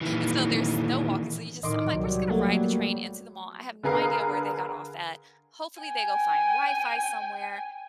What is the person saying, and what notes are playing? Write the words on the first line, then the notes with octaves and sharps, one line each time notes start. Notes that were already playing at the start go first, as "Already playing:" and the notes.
And, so there's no walking, so you just I'm like, "We're just gonna ride the train into the mall. I have no idea where they got off at. Hopefully, they go find Wi-Fi somewhere,
A#2 D#3 E3
A2 D#3 D#5 C6 D6
C2 F#3 G3
A3 A#3 F#4
D3 B3 G#4 A#4 F5
G5 G#5